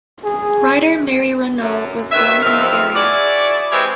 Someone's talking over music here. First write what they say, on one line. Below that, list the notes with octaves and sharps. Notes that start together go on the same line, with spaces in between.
Writer Mary Renault was born in the area.
G#4
F#2
D#2 D#3 B4 E5
E2 F3 C4 D#4 E5 F5
E4 F#4 G#4 D5
E3 G#3 C4 E4 G4 C#5